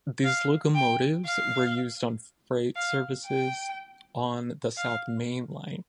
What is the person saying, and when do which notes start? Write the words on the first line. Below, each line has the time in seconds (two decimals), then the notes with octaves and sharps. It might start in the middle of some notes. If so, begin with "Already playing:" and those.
These locomotives were used on freight services on the South Main Line.
0.24 F5
0.75 G5
1.25 F5
2.76 F5
3.26 G5
4.77 F5